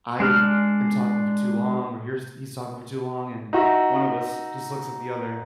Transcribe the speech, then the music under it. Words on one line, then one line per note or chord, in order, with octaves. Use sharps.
I am talking for too long or here's he's talking for too long, and one of us just looks at the other,
G#3 D4 F6
D#4 F#4 E5